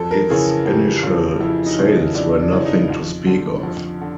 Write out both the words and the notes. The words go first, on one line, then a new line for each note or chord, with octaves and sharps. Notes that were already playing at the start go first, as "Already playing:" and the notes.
Its initial sales were nothing to speak of.
Already playing: F2 A4
A#4
C#3 E3 G#4
F2 G4
C#3 E3 F4
F2 E4
D#4
C#3 E3
D#4
F2 D4
D4
C#3 E3
D#4
F2 F4
D3
F2
D3